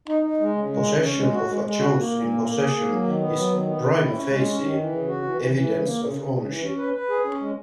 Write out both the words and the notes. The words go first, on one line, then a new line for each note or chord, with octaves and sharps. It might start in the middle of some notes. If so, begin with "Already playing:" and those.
Possession of a chose in possession is "prima facie" evidence of ownership.
D#4
D#4
G#3
C#3
G#3
C#3
C#4
G#3
F#4
G#3
G#3
F#4
A#3
A#2
A#3
A#3
G#4
A#3
F#3
D#3
B3
F#3
D#3
B3
D#3
E4
C#4
G#3
C#4
D#3
E3
C#3
F#4
E3
E3
E3
C#3
A#3
C#3
C#3
C#3
E3
C#4
B4
B4
G#4
C#4
G#3